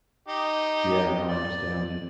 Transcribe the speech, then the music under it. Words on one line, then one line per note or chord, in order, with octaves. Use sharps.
Yeah, no, I understand, yeah.
D#4 G4
D5